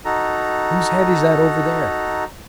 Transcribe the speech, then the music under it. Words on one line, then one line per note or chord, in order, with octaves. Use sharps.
"Whose head is that over there?"
D#4 F#4 A4 A#5